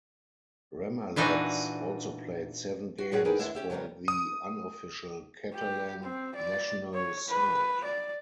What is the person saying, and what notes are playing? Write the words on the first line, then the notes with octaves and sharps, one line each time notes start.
Ramallets also played seven games for the unofficial Catalan national side.
A#2 E3 D4 D#4 F#4
F#4
D2 A2 G3 G#4 C#5 F#5
D#4 G4 G#4 A#4 B4 D5
D#2 G#3 B3 D4 E4 E5
C#4 G4 E5
C#3 F#3 G3 A#3 B3
D#6
G4
C4
D5
C#5
B4
D5